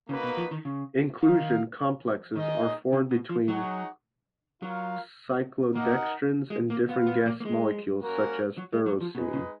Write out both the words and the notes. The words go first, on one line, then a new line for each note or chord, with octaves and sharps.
Inclusion complexes are formed between cyclodextrins and different guest molecules such as ferrocene.
C#3 A#3 D#4 F#4 B4
B2
F3
D#3
C#3
D#3 D#4 A#4 F5
D#3 D#4 G#4 D#5
C#3
B2
F3
F#3 D#4 G#4 C#5 F#5
F#3 F4 A#4 F5
A#3 D#4 A#4 D#5 F#5
G#3
A#3
B3 F4 B4 F5
B3
A#3
A#3
G#3
A#3 C#4 F#4 A#4
F#3
G#3
F#3
F3
B2 G#3 D#4 G#4 B4 D#5
C#3